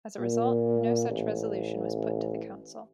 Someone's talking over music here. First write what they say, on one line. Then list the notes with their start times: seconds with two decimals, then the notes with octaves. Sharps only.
As a result, no such resolution was put to the Council.
0.19 A#2
1.10 A1